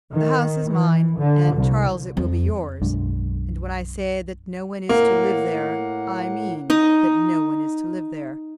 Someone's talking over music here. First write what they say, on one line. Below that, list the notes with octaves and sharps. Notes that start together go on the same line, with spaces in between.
The house is mine--and, Charles, it will be yours--and when I say that no one is to live there, I mean that no one is to live there.
D#3
E3
D3
C2
F2
B1 F#2 G#3 D4
A2 A#3 F#5
D#4 D#5